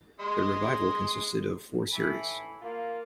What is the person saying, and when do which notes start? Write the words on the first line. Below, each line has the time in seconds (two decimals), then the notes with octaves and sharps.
The revival consisted of four series.
0.20 G#3 D#5 C6
1.92 A2 E3 G#5 B5
2.61 A#3 F4